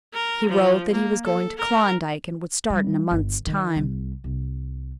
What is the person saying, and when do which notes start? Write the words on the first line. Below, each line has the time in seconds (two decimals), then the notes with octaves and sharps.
He wrote that he was going to Klondike and would start in a month's time.
0.14 A#4
0.49 F3
0.93 A#3
1.25 A4
1.58 A#4
2.70 G3
3.11 G1
3.47 D#3
3.76 C2
4.24 C2